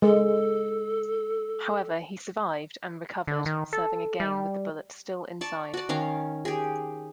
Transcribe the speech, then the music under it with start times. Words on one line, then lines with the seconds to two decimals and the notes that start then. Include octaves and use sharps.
However, he survived and recovered, serving again with the bullet still inside.
0.02 G#3 A4
3.27 D3
3.46 D#3
3.73 A4
4.20 G3
5.41 D5 A5 C#6
5.74 F#4 D5
5.89 D#3 C#4 F5 A#5
6.45 G4 G#4